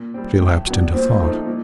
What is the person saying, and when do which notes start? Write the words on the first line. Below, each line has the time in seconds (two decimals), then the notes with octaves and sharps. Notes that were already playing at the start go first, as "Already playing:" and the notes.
She lapsed into thought.
Already playing: A#2
0.14 G3 C4
0.41 A2
0.67 F#3 B3 D4
0.93 A#2 C5
1.20 F3 A3 C4 D#4
1.47 A#2